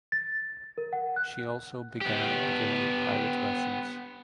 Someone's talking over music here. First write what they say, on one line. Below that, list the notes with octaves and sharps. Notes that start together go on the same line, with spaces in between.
She also began giving private lessons.
A6
A#4
F#5
F#6
B3 G4